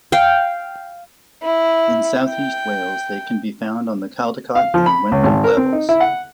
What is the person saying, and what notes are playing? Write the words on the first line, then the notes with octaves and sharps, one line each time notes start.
In southeast Wales, they can be found on the Caldicot and Wentloog Levels.
F5 G5
E4
G5
F5
F3
B5
C#2
G#1
A#4
C4
D#4
E4
F#5